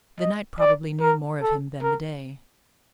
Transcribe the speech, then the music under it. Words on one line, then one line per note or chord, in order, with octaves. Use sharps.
The night probably knew more of him than the day.
D#5
D5
A#4
A4
A#4